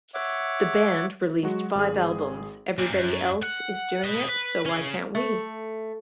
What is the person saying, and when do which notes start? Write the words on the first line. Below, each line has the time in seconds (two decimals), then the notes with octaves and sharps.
The band released five albums: Everybody Else Is Doing It, So Why Can't We?
0.14 C#5 E5 F#5 D6
1.43 F#3 G#3 F#4
1.75 G#1 G#4
2.79 A#2 G3
2.93 F#2
3.43 F#5
4.04 B4 D#5
4.29 B4
4.66 C#4 G#4
5.15 A3